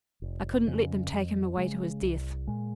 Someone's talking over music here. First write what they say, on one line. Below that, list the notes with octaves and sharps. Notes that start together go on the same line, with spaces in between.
I couldn't let them take him away to his death.
F1
F2 C#3
F2
C#3 G#3
C2
A#2 G#3